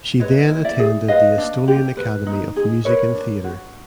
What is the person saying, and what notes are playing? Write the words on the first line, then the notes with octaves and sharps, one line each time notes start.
She then attended the Estonian Academy of Music and Theatre.
B4 C#5 D#5
E4
D5 E5
G#4
B4 D#5 F5
D4
G4
B4
D#4
G#4
A#4 B4 C#5
D4
F#4